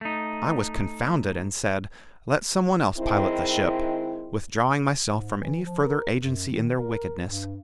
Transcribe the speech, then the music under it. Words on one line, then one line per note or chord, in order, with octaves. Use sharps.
I was confounded and said, 'Let some one else pilot the ship;' withdrawing myself from any further agency in their wickedness.
A3 D#4
D#3 G#3 C4 E4
G#2
E3
F3
A#4
F#2
D#3
A#4
G2